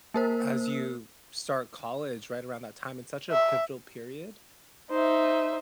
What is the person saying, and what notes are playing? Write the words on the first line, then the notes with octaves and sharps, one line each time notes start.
as you start college right around that time, it's such a pivotal period,
A#3 A#4 C5
E5
D#4 C5 E5